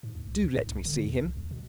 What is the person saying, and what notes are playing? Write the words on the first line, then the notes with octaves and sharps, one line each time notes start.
Do let me see him.
G#2
D2
C2
D2
G#2
C2
D3
D#2
C2
D#2
B2